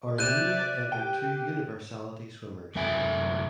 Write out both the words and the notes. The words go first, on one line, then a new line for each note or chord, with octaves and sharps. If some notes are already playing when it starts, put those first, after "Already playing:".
Armenia entered two universality swimmers.
C3 D5 E5 F#6 G6 D#7 E7
G4 G5
F#2 C3 E5 G#5